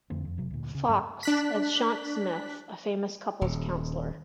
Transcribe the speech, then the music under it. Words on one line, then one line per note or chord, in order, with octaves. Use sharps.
Fox as Shante Smith, a famous couple's counsellor.
F2 D3 A3 C4
F2
F#1 C3 F#3
D2 A#2
C#3
G2 F3 G#3 C#4
D4 F#6 B6
D#1